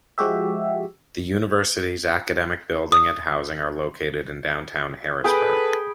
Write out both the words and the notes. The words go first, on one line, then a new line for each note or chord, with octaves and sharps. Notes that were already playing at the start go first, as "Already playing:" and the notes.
The university's academic building and housing are located in downtown Harrisburg.
F3 G#3 F#4 G4 E5
D#6
G#4 A4 B4 G5 B5